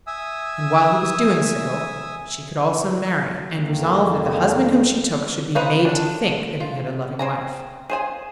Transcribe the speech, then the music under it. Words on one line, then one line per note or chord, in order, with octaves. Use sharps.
And while he was doing so, she could also marry, and resolve that the husband whom she took should be made to think that he had a loving wife.
E5 G#5 D#6 E6
F2 D#3 A#3
B3 C4 D#4 B4 F5
D4 A4
F4
C4 G#5 A#5
G#4 C5 G#5